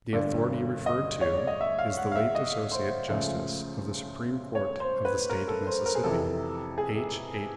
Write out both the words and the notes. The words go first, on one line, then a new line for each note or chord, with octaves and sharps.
The authority referred to is the late Associate Justice of the Supreme Court of the State of Mississippi, H.H.
G1 G2 D3 D5
D#5
C#5
D5
D#5
E5
F5
F#5
F5
E5
D#5
C5
C#2 C#3 F3 A3
C#5
C5
B4
A#4
A4
C5
A#4
G#4
F2 C3 E3 A4
G#4